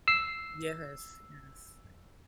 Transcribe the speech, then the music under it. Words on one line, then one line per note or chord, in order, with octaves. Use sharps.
Yes, yes.
E6 C7